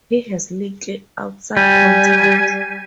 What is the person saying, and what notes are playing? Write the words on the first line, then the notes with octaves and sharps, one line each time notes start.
He has little outside contact.
G3 G#5